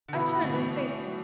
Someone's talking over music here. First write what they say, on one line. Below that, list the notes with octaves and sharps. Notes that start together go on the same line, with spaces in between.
I turned and faced him.
D3
B2 E3 B3 E4 B4
B2
A2 D3
B2 E3